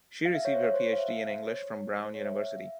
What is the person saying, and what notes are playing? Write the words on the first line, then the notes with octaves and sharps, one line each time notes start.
She received her Ph.D. in English from Brown University.
F5
E5
C#5
C5
C#5
C5
F5
E5
E5
C5
C#5
C5
C5
C#5
E5
E5
F5